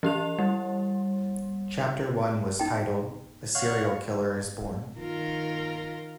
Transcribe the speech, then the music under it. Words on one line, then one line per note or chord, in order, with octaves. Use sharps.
Chapter One was titled A Serial Killer Is Born.
E3 G4 F7
G3
D#4 G5
C#5 F5 F#5
D#3 F4 A#4